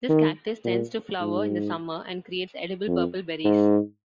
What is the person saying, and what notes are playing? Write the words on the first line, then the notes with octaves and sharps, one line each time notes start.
This cactus tends to flower in the summer and creates edible purple berries.
D#3
A#2
G#2
F2
G#2